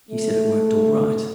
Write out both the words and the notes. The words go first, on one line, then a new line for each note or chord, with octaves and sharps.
He said it worked all right.
A3